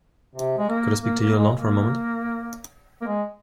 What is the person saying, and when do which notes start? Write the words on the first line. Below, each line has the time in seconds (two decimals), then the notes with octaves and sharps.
Could I speak to you alone for a moment?
0.35 C3
0.58 G#3
0.69 A#3
1.04 A#3
1.20 A#3
1.37 G#3
1.54 A#3
3.01 A#3
3.07 G#3